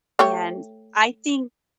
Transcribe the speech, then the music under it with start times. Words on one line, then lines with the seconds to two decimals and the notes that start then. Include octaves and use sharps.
and I think
0.19 A3 G4 C#5